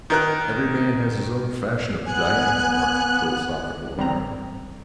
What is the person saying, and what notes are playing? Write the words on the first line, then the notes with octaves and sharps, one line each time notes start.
"Every man has his own fashion of dining," remarked the philosophical American.
D#3 A#4 F#6
B3 G#5 F#6
A1 G3 C4 A#5